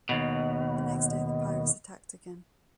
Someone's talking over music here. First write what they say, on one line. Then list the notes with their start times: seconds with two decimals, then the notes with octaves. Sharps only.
The next day the pirates attacked again.
0.09 D#2 B2